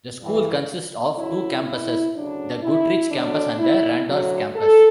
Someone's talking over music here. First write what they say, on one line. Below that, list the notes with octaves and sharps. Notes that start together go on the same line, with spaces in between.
The school consists of two campuses: the Goodrich Campus and the Randolph Campus.
G2 E3
D2 C#3 F#3 E4
E4
D2 C#3 F#3 D4
E4
D2 D3 F#3 D4
E4
D2 D3 F#3
A4